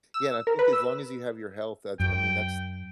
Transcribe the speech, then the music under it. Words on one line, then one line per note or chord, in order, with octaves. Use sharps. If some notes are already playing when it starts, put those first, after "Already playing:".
Yeah, and I think as long as you have your health, that, I mean, that's
E6
A#4
B4
E6
F#2 G5